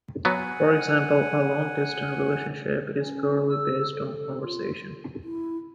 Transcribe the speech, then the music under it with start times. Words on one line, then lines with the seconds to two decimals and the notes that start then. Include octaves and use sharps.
For example, a long-distance relationship is purely based on conversation.
0.25 F#3 B3 F#5 G#5
3.01 C#4
3.51 E6
3.91 A4
4.42 F4
5.24 E4